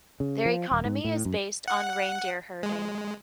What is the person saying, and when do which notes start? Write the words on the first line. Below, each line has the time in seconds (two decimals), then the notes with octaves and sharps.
Their economy is based on reindeer herding.
0.20 C#3
0.45 F3
0.71 D#1
0.85 G#2
1.05 A2
1.25 F#2
1.68 F#5
2.63 G#3